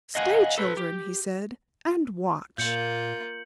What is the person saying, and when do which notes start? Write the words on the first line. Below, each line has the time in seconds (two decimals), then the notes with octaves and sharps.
"Stay, children," he said, "and watch."
0.15 D#5 F5 F#5 G#5
0.58 A4 B4
0.77 G4
2.58 A#2 A#3 F4 G6 C#7 F#7